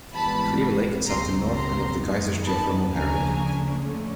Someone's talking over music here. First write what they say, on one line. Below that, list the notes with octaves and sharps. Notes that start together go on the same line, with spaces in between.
Clear Lake is at the north end of The Geysers geothermal area.
G#1 G#2 E3 G3 B3 A5 B5
C#2 B2 G3 C4 A#5 C6
A#5 C6
F#2 D#3 G3 B3 D#4
A5 B5
D2 C#3 F3 A#3 D4 G#5 A#5
F2 D3 F3 A3 C#4